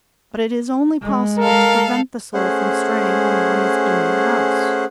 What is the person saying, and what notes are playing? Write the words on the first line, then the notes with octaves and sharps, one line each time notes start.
But it is only possible to prevent the soul from straying when one is in the house.
G#3
A4 A#4 F5
A3 C#4 G#4 C5 F#5